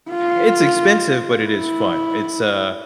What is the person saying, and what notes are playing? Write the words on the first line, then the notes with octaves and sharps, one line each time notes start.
It's expensive, but it is fun, it's, uh
F4
E4